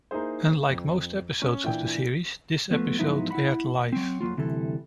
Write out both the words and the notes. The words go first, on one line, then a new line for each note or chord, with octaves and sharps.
Unlike most episodes of the series, this episode aired live.
A#3 D#4 E4 G#4 C5
F2
C#4
A#2 E3 D4 G5
F3 A3 B3
G#2 F3 F#3 B3 D#4 E4
E4 F#5 B5
F#3 C4
F2 F#3 A#3 F4
D2 C3 E3 G3 E4 A4